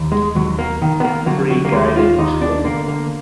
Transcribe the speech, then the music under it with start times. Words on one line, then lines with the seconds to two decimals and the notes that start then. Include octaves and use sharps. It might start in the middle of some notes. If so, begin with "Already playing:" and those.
Free guided tour.
Already playing: D#2
0.12 G#3
0.35 D#2 F#3
0.59 A#3
0.82 D#3
1.00 B3
1.05 A#3
1.26 D3 F#3
1.50 F#3
1.65 A#3
1.72 D#2 G#3
1.96 F4
2.18 D#2 D#4
2.41 D4
2.64 D3 A#3
2.88 A#3